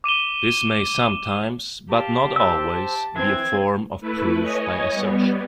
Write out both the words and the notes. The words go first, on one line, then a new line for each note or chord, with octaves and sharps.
This may sometimes, but not always, be a form of proof by assertion.
D6 D#7 E7 G7
A#3 G4 F5 A5
C5 A5 E6
E3 C4 G#6
A3 E4 B4
C#5 D#5 G#5
G3 B3